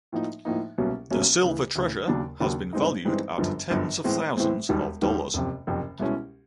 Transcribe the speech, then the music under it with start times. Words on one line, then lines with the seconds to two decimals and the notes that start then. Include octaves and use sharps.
The silver treasure has been valued at tens of thousands of dollars.
0.12 A2 F3 A#3 D#4
0.45 A2 F3 A#3 D#4
0.78 C2 B2 F#3 A#3 C#4
1.10 C2 B2 F#3 A#3 C#4
1.43 D2 C#3 E3
1.75 D2 C#3 E3
2.08 D#2 C#3 F#3 A#3 D4
2.40 D#2 C#3 F#3 A#3 D4
2.73 G2 E3 G#3 C4 D#4
3.05 G2 E3 G#3 C4 D#4
3.38 G1 F#2 D3 F3
3.70 G1 F#2 D3 F3
4.04 A2 E3 G#3 C4
4.37 A2 E3 G#3 C4
4.69 E1 D#2 D#3 G3
5.02 E1 D#2 D#3 G3
5.34 F#1 F2 C3
5.67 F#1 F2 C3
5.99 C2 B2 G#3 C#4 E4